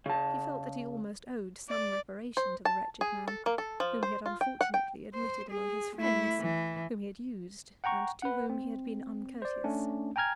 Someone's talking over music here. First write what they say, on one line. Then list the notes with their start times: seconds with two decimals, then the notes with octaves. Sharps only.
He felt that he almost owed some reparation to the wretched man,--whom he had unfortunately admitted among his friends, whom he had used, and to whom he had been uncourteous.
0.06 C#3 A5
1.69 D5
2.37 C5
2.65 A5
3.01 G#4
3.28 A4
3.46 A#3
3.58 A4
3.80 F3
4.03 C5
4.26 F4
4.41 G5
4.61 F#5
4.74 G5
5.14 C5
5.50 G#4
5.96 A3 E4
6.40 E3
7.84 F#5 G5 A#5 C#6
8.22 B4 F#5
8.50 C4
9.42 C5 D5
9.64 A3 C#4 D4
10.16 G5 G#5 A#5 F6 G#6